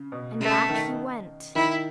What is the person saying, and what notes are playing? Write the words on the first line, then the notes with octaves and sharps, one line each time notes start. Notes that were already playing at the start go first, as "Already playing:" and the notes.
And back he went.
Already playing: C#3
B2
C#3 A3
D#3
D#3 E4